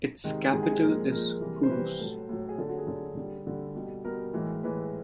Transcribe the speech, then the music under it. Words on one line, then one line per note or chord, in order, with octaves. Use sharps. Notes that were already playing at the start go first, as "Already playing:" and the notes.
Its capital is Kudus.
C3 D#3 G#3
C3 D#3 G#3 G#4
G#4
G#4
A#2 F3 G#3 A#4
A#2 F3 G#3 A#4
C3 E3 G3
C5
C3 E3 G3 B4
A2 F#3 A4
A2 F#3
G#4
D3 F#3 A4
F#4
G#4
D3 F#3 A4
D3 G3
D3 G3
B2 G3
B2 G3 A#4
A2 E3 G#3
A2 E3 G#3 B4